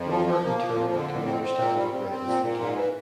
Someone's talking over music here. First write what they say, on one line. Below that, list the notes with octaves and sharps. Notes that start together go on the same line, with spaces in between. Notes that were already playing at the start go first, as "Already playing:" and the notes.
Rover, in turn, can understand what Red is thinking.
Already playing: F2
F3
F3
A#3
F3
F2
D3
F2
C4
C4
A#2
G3
C4
C4
A#2
A#2
G#2
E3